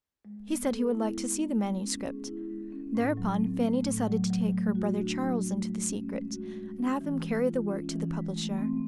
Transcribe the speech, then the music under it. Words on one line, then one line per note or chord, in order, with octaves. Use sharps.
He said he would like to see the manuscript. Thereupon Fanny decided to take her brother Charles into the secret and have him carry the work to the publisher.
G#3
B3
A4
E4
G#3
B3
G#3
C#4
G#4
E4
G#3
C#4
A2
F#3
C4
A3
A2
F#3
F#3
A3
F#4
D4
F#3
A3
G#3
C#4
G#3
F#4
G#3
C#4
E3
G#3
F4
C#4
E3
G#3
A3
C4